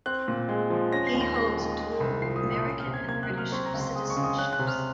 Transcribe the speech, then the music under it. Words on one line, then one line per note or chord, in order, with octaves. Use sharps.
He holds dual American and British citizenships.
C4 F#6
A#2
G#3
F3
C#4 A#6
C7
D#2
A#6
G#3 A#6
D#3
G#3
C2
F3 C7
D#6
A#2
D#6
C#4 D#6
F6
C3
G#6
A#3 G#6
F#6
F#3
F6
C4 C#6
A#5
C#2
C6
G#3 D#6
C#6
C#3
D#6
C#4 F#6
F#6
C3
F6